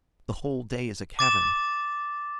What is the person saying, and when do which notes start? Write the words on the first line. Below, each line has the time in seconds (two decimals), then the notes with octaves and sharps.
The whole day is a cavern.
1.19 D6 A6 E7